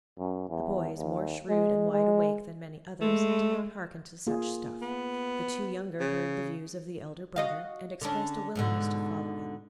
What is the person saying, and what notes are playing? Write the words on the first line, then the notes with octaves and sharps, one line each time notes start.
The boys, more shrewd and wide awake than many others, did not hearken to such "stuff." The two younger heard the views of the elder brother, and expressed a willingness to follow him.
F#2
E2
D#2
G#3
G#3
G#3 A3
A#3 F4 G#4
B3
C#3
F#4 D#5 F5
D3 C#4 D4
G#2 B2 D3